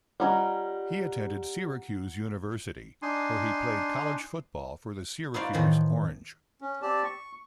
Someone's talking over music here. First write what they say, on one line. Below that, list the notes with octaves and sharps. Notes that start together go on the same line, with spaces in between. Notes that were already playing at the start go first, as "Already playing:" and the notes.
He attended Syracuse University, where he played college football for the Syracuse Orange.
G3 C#4 F4 D#5 F#5 A#5
D4 D#4 G#5 C6
D#4 E4 F#4 C5 D5 F5
A2 D#3 E3 C5
C#4
C4 G4 D5 A5
C#6